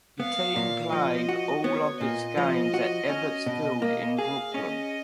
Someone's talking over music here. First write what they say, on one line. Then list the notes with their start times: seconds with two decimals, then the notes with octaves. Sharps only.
The team played all of its games at Ebbets Field in Brooklyn.
0.19 B3 F5
0.56 A#2
0.92 F3 D#5
1.29 F#4
1.64 B3 C#5
2.01 A#2 D#5
2.37 F3
2.74 F#4
3.09 C#4
3.46 B2
3.82 A#3 D#5
4.18 G#4 F5
4.54 C#4 D#5